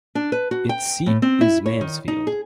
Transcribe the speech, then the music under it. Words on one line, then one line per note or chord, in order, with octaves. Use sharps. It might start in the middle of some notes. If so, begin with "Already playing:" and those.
Its seat is Mansfield.
D4
B4
F#4
G5
A2
C4
E4
C#5
D#3
D#4
G#4